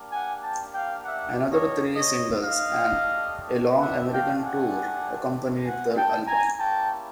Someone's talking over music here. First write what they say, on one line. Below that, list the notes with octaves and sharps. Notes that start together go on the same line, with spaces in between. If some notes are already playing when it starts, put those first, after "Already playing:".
Another three singles and a long American tour accompanied the album.
Already playing: A#3 D4 G4
F#5 G#5
G5 A5
F5 G5
E5 F#5
C#5 D#5
C#5 D#5
D#5 F5
A3 D4 G4
E5 F#5
F5 G5
F#5 G#5
F#5 G#5
G5 A5
G#5 A#5
A#3 C#4 E4 G4 G5 A5